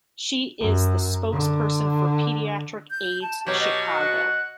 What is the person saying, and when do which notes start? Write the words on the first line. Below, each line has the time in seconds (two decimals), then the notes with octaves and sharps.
She is the spokesperson for Pediatric Aids Chicago.
0.61 F#2
1.32 D3
2.90 G6
3.22 A5
3.47 B2 F#3 G4 C#5
3.60 D#5
3.90 F#5